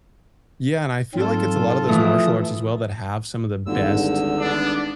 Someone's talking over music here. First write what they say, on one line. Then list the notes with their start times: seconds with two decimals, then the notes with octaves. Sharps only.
Yeah, and I feel like it's a lot of those martial arts as well that have some of the best
1.14 G#2 F#3 C4 F4 A4
1.89 E3 F3 A3 D#6
3.66 G#1 E2 D3 D#3 G3 E6
4.39 B3 D4